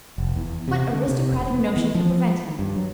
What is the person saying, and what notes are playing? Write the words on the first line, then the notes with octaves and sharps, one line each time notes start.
What aristocratic notion could prevent him?
F1
E2
C3
D3
C3
E1
B3
E3
F3
G2
F#3